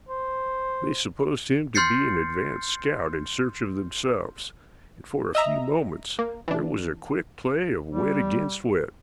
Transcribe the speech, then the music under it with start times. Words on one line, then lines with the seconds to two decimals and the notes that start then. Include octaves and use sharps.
They supposed him to be an advance scout in search of themselves, and for a few moments there was a quick play of wit against wit.
0.09 C5
1.75 C6 F6 G6 A6 C7 C#7
5.35 D#5 E5 A#5
6.19 A#3
6.48 E3 D4
7.91 G3